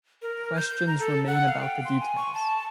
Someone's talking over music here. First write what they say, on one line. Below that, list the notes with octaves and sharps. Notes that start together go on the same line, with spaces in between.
Questions remain about the details.
A#4
G6
G6
A#5
A4
F#5
F5
G5
C6
G#5
C#6
A5